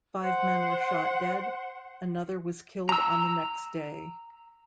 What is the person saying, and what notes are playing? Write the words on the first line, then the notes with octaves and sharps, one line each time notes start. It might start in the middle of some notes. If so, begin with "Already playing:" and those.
Five men were shot dead; another was killed on the next day.
C5 F#5
A#5 E6